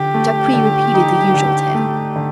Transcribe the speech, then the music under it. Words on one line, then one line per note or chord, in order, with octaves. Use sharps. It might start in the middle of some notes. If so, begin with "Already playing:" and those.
Jacques repeated the usual tale.
Already playing: D3 G4
A3
D3
D#4
D3
A3
D3